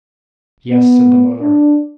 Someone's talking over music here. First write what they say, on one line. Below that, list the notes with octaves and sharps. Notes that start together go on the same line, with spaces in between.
"Yes," said the mother.
B3
D4